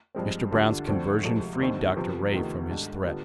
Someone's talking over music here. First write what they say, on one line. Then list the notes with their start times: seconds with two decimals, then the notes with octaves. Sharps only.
Mr. Brown's conversion freed Dr. Ray from his threat.
0.15 G2 F3 G#3 C4
0.52 D2 D3 G3 D4 F4
0.88 D2 D3 F3 C4
1.24 D2 C3 F3 G#3
1.60 D#2 D3 G3 C4 D#4
1.96 C3 F3 B3
2.32 D2 C3 D#3 B3 F4
2.68 G#2 G3 D4 G4
3.05 D3 G3 B3 F4